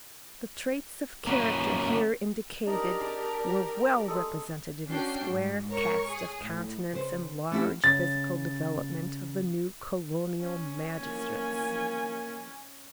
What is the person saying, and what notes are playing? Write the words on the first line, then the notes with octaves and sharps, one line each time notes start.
The traits of character here indicated were well represented in the square cast of countenance and large physical development of the new colonial magistrates.
A#3 C#4 F#4 B4
D4 D#4 G4 A#4 D5 D#5
G#4 A5 D6
G#3 G#4 A4
C#4 D4 F#4 G5 C7
G#2
A#4 C#5 C#6
G#4
A2
C#3 B4 C5
A3 C#4 D#4 E4 F#4 G4
C#3 A6
C#4
A#3 G#5